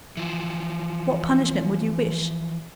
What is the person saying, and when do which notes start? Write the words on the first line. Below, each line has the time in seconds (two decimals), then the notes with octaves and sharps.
"What punishment would you wish?"
0.17 E3 F3